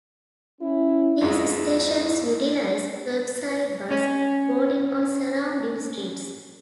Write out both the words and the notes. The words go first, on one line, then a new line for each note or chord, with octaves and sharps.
These stations utilize curbside bus boarding on surrounding streets.
C#4 E4
F2 G#2 G#3
C#4 C#5